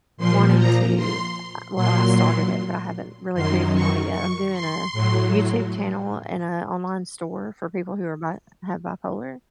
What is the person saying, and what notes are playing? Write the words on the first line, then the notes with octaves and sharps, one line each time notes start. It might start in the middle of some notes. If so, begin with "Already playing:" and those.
wanting to, uh well, I started it, but I haven't really put anything on it yet, I'm doing a YouTube channel and a online store for people who are bi have bipolar.
A#2 F3 C6
A#5
C6
A#2 F#3 C6
F#2 D#3 F#3 C6
C#6
C#6
C6
A2 F#3